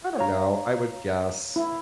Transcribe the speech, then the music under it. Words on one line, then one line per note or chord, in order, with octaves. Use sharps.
I don't know, I would guess
C#5 F5 A#5
E4